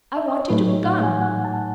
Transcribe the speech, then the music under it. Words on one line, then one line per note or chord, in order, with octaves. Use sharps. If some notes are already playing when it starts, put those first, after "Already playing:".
'I wanted to come.
E5
D#5
C#5
A2 F#3 A3 D#4 B4
C#5
F#5
G#5
F#5
A5